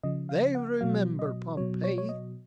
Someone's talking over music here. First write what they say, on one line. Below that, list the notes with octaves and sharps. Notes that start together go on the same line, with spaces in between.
They remember Pompeii.
C#3 F3 D#5
F5
F#5
B2 F#3 F5
D#5
B2 F#3 C#5
C#5
C#5
D#5